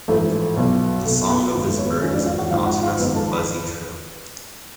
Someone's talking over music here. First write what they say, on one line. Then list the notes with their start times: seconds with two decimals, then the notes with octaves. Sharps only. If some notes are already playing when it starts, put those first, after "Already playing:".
The song of this bird is a monotonous buzzy trill.
0.08 A1 G#2 F3 A3 A4
0.57 B1 B2
1.05 B1 A3 A4
1.09 B2
1.29 B3 B4
1.54 G#1 G#2 F3 B3 B4
1.70 A3 A4
1.78 C#5
1.85 B3 B4
2.02 G#1 G#2 F3 C#4 C#5
2.14 D4 D5
2.26 F4 F5
2.38 F#4 F#5
2.50 G#1 G#2 F3 F4 F5
2.66 F#4 F#5
2.82 F4 F5
2.98 G#1 G#2 F3 B3 B4
3.15 A4 A5
3.31 B4 B5